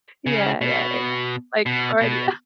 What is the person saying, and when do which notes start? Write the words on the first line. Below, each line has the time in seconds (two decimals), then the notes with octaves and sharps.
Yeah, yeah, yeah, yeah, like, already up.
0.26 C#3
0.61 B2
1.66 B2
2.01 B2